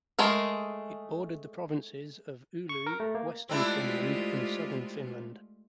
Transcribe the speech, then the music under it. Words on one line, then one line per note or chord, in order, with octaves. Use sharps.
It bordered the provinces of Oulu, Western Finland and Southern Finland.
G#3 A3 G#4 A#4
C#6
A#4
A3
A#3
G#3 A3 C4 D4 E4 F4 G4 D5